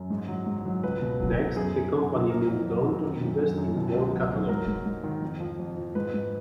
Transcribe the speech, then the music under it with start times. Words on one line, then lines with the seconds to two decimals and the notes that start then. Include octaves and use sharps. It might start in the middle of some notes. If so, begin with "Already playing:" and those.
Next, the company moved on to invest in more catalogs.
Already playing: F#2
0.10 G#2
0.28 F#3
0.46 G#2
0.65 F#3
0.83 C#2 B4
1.02 B2
1.20 F#3
1.39 B2
1.56 F#2 G#4
1.75 F#2
1.93 F#2
2.12 F#3
2.30 F#3 A#4
2.47 F2
2.66 F#3
2.85 F#3
3.03 D#3
3.21 F#2
3.39 F#2
3.58 F#2
3.77 B2
3.94 C#2
4.13 F#3
4.31 F#3
4.49 G#2 A#4
4.68 G#2
4.86 G#2
5.04 D#3
5.22 F2
5.40 F3
5.59 F2
5.77 F3
5.95 G#2 B4
6.14 G#2